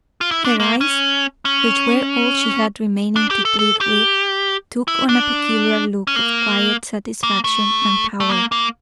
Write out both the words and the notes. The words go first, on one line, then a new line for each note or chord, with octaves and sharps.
Her eyes, which were all she had remaining to plead with, took on a peculiar look of quiet satisfaction, and power.
F4
E4
D4
A#3
C#4
C#4
D4
G4
A4
A4
G4
E4
D4
C#4
A#3
A#3
A3
A3
A#3
A#3